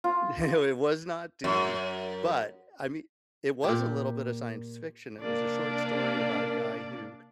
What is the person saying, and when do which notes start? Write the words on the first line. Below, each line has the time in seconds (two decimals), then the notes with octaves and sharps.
No, it was not Dune, but, I mean it was a little bit of science fiction, it was a short story about a guy who
0.04 F4
1.44 F#2
3.64 A#2 G4
5.20 C3 A#3 D4 A#4 D5